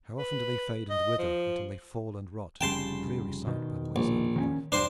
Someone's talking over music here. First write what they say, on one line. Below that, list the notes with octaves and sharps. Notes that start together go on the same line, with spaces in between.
How often do they fade and wither until they fall and rot, a dreary sight, by the wayside of life!
B4
D#5
F3
F1 C#3 G3 G5 A5 C6
B2 D#3
A#1
D#3 C4 C#4
E1 G2 D4 C5 C6